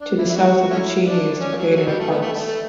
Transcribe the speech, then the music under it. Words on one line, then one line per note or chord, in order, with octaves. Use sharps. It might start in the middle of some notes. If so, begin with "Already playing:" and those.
To the south of Puccini is the crater Horace.
D4
E4
E4
F#4
F#4
A3 C#4 E4
D4
C#4
F#3
E3
F#3
G3
A3
B3
A3
A3
A3